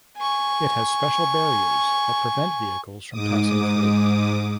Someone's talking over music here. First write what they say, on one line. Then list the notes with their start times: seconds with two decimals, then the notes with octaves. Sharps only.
It has special barriers that prevent vehicles from passing through.
0.17 G#5 C#6
3.11 G#2 D6 D#6